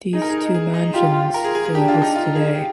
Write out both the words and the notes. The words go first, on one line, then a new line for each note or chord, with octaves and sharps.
These two mansions still exist today.
D#4 G#4
A#4
G#4
G#4
D#4
F4 G4
A#4
G#4
G#4
G#4
D4 G4
F4
D#4
F4
G#4
G4